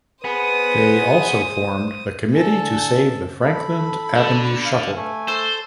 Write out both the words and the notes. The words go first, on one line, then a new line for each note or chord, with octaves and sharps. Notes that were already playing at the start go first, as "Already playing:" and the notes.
They also formed the Committee to Save the Franklin Avenue Shuttle.
B3 G#4 B4 C5 D#6
D3 A4 G#5
A4 B5
A4
D3
F5
A3 G#5
A4 C5